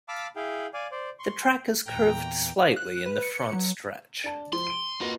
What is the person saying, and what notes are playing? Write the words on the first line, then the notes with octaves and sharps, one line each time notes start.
The track is curved slightly in the front stretch.
F5 A5 B5 D6 E6 F6
E4 G#4 F5 G5
D5 F5 G#5
C5 D5
C6 C#6
E2 A#2 G5 A#5
F#6
B4
C#7
F#3
D4 A5
F3 C6
D7 D#7
A#3 F4 F#4 B4 D#5